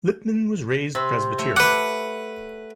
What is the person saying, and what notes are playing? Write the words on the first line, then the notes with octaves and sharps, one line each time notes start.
Lippman was raised Presbyterian.
C3 C4 B5
A3 C#5
B4 F#5 D6 F#6